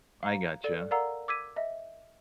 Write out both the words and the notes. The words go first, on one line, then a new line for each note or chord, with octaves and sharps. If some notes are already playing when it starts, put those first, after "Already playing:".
I gotcha.
F5 A#5
A4 D5
A#4 D5 F5 F#5 A#5 E6
D6 E6 G#6 B6 D#7
D#5 E5